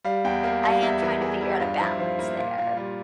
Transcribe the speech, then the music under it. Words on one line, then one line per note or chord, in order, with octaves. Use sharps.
I am trying to figure out a balance there.
G3 F5
E2 G5
A#3 F5
G3 F5
E2 E5
E3 A#4
E3 G#4
G3 E4
G2 F4
F3 E4
F3 F4
A#3 E4
A#2 F4
A#2 F4
G3 F4